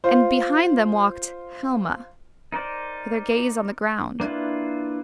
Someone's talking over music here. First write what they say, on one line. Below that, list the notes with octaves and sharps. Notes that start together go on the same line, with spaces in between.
And behind them walked--Helma, with her gaze on the ground.
F4 C5
D#4 A#4 C5 D5
A#3 D4 E4 F4 B4